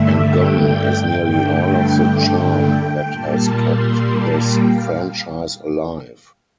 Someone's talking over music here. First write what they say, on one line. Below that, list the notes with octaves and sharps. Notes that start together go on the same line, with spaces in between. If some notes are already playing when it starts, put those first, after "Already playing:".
And gone is nearly all of the charm that has kept this franchise alive.
Already playing: G2 D3 A3 E5
G5
G2 D3 A3
G5
A#2 G3 A#3 A5
C6
A5
G5
F5